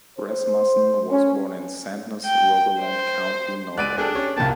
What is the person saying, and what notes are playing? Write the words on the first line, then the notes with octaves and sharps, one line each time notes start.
Rasmussen was born in Sandnes, Rogaland County, Norway.
C5
C#4
G5
C5
C#2 D5 F#6 D7 D#7
D4 G#4 A4 G5
C#4 G4 C#5
C2 F2 A#3 F4 G5 A5